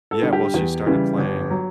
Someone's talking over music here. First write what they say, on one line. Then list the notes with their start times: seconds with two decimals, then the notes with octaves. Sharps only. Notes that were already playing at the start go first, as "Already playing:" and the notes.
Yeah, well, she started playing
0.11 A4
0.22 D3 G3
0.33 G4
0.54 E2 G4
0.87 C#3 E3 G3
1.18 G1
1.51 F#3